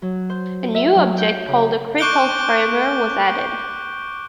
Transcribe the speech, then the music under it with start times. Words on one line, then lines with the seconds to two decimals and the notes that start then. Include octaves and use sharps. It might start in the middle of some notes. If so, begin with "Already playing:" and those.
A new object called a Crystal Framer was added.
0.02 F#3
0.30 C5
0.74 E5
0.95 F#3
1.18 G5
1.47 C#3
1.98 C#6 D6 F#6 G6 D7 G7